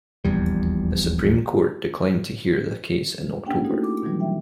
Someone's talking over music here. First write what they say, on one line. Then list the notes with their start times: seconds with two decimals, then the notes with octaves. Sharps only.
The Supreme Court declined to hear the case in October.
0.25 D#1 A#1 E2 G3
3.45 A#3 C#4 D4 G4 F#5 G5
3.65 A3 D#4 E4 F#4 G#4 A4
3.83 D6
4.02 B2 D#3 E3 F#3 G3
4.20 E5 G5